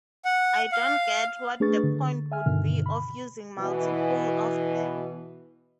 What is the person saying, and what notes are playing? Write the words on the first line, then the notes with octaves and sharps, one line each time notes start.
I don’t get what the point would be of using multiple of them.
F#5
F5
A3 D4 G#4 B4 C#6 A6
D3
E5 G#5 F6
G2 B2 D3 D#3 F6
B5
B2 E3